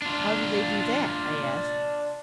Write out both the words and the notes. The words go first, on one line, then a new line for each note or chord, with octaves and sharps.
"How do they do that?" I asked.
D4 F4